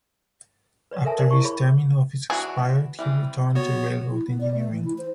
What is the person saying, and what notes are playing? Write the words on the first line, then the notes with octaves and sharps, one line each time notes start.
After his term in office expired, he returned to railroad engineering.
B4 C#5 D5
A4 A#4 E5 G#5 A5
A#4 C5 D5
E4 C#6
G#4 C#5 B5
E3 D4 F#4 G#4
E3 G3 C4
B3 F#4 C#5
E4
B3
D5
A3
E3
E4
C5